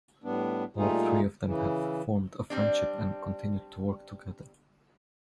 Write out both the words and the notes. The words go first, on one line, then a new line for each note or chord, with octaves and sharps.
All three of them have formed a friendship and continued to work together.
A2 G3 B3 D4
A#2 G3 A3 D#4 F4 G#4
C#3 E3
G3 C4 D4